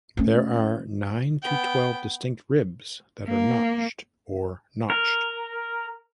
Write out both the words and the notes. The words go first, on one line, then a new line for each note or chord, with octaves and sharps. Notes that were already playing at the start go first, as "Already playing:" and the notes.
There are nine to twelve distinct ribs that are notched or notched.
A3 C#4
B3 G5
A#3
A#4